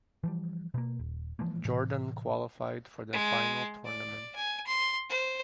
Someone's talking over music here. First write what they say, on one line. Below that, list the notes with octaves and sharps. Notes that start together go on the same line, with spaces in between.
Jordan qualified for the final tournament.
E3 F3 G3
B2 A#3
D#1
E3 F3 G#3 A#3
A2 C3 E3
G#3
D5
G#5
C6
C5